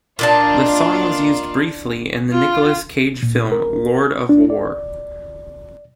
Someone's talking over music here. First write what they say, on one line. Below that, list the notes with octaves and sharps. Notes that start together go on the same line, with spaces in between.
The song was used briefly in the Nicolas Cage film "Lord of War".
A#2 D4 D#4 F4 A5
F4
A#2
A#4
D4
D5